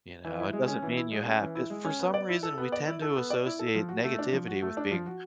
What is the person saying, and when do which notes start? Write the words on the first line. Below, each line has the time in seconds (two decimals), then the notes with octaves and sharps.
You know? It doesn't mean you have eh, for some reason, we tend to associate negativity with being
0.24 E3
0.39 E4
0.53 G#3
0.68 C#4
0.82 E3
0.97 E4
1.12 G#3
1.26 C#4
1.41 E3
1.55 E4
1.70 G#3
1.85 C#4
2.00 B3
2.14 D5
2.29 E4
2.43 A4
2.58 B3
2.72 D5
2.87 E4
3.02 A4
3.16 B3
3.30 D5
3.46 E4
3.59 A4
3.75 F3
3.89 F#4
4.04 A3
4.19 D4
4.32 F3
4.47 F#4
4.62 A3
4.77 D4
4.91 F3
5.06 F#4